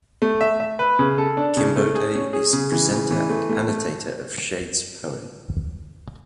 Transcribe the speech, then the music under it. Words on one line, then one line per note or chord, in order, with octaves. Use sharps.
Kinbote is the presenter and annotator of Shade's poem.
A3
E5
E5
B4
C#3
A4
D4
C#3
A3
G#4
C#4
G#4
C#3
E3
C#3
E3
A3
A3
A3